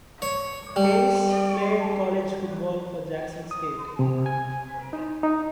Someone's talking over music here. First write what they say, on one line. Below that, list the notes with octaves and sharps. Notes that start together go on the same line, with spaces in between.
Hayes played college football for Jackson State.
C#5
G3
D#6
C3
G#5
D#4
D#4